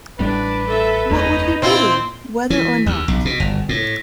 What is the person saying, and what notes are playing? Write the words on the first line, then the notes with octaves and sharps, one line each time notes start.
What would he do, whether or not?
A1 A2 G3 D4 B4
A4 E5
F#1 E2 A3 C#4 D#4
A#2 C4 E4 F4 C6
E3
D#2
B1
B2
G1
A2